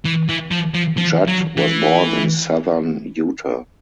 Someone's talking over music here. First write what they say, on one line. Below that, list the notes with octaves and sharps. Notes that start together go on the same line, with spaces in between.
Judd was born in southern Utah.
E3
E3
F3
F3
F3
F#3
E3